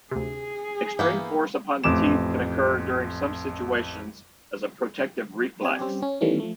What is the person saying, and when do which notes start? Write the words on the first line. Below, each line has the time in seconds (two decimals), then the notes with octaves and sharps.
Extreme force upon the teeth can occur during some situations as a protective reflex.
0.11 D2 C3 G#4
0.99 G2 E3 A#3 B3 E4 G6
1.84 A1 F2 D6 E7
5.61 C4 G4 G#5
5.79 G3 C4 C#4 G4
6.02 C#4
6.21 D#3 E3 G3 A3 B3 C#4
6.40 F3 A3